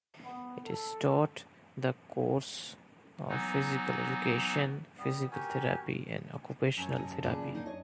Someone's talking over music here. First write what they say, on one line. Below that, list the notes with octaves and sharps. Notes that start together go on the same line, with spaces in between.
It is taught the course of physical education, physical therapy and occupational therapy.
B3
A4
E3 F#3 B3 D#4
G3 B3
F#4 G4 A#4 G#5
F#2 A4 C#5
D#5
A#2 C#3 D4
A#3 D#4
C#5 D#5